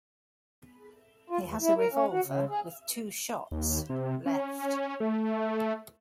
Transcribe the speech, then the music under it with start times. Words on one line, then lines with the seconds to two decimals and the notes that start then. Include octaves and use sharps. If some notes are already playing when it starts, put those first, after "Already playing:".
He has a revolver, with two shots — left.
1.30 F4
1.43 E2
1.61 E4
1.78 A#4
1.92 C#4
2.11 F#4
2.26 C#3
2.49 G#4
3.51 D#2
3.90 C3
4.26 C#4
5.00 A3